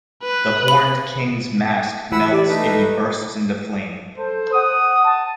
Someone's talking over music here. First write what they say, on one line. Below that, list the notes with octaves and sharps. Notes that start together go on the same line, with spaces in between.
The Horned King's mask melts and he bursts into flame.
B4
B5
E3 E4 F#5 B5 E6
G4 D5
A3 D#4 B4
A4
A4 C5
F#5 D#6
A5